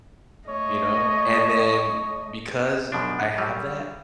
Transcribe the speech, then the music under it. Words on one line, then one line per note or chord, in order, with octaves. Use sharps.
you know, and then because I have that
A3 C#5 D#5
F#2 B2 F3 D4
F#3 G3